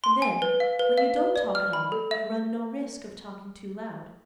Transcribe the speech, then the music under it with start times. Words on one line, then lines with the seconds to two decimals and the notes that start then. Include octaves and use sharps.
And then, when you don't talk at all, you run no risk of talking too loud.
0.04 C6
0.22 G#5
0.42 B4
0.60 F5
0.79 B4
0.98 F5
1.16 B4
1.36 D5
1.55 F6
1.73 B5
1.92 A4
2.11 E5